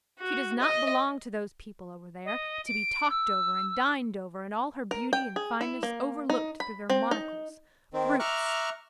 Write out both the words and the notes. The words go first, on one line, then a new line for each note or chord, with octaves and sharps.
She does not belong to those people over there, to be talked over, and dined over, and all her beauty and fineness overlooked through their monocles--brutes!
F#4
D#5
D#5
D7
E6
A#4
G5
G#4
E4
A#3
D#4
B5
C4
D#4
D#3 C4
E5 A#5 C#6 D6 F6 F#6